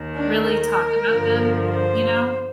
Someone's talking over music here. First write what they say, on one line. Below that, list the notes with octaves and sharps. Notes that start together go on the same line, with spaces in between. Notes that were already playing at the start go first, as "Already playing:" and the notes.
really talk about them, you know?
Already playing: D#2 D#3
D4
A#4
G2 D3 F3
C5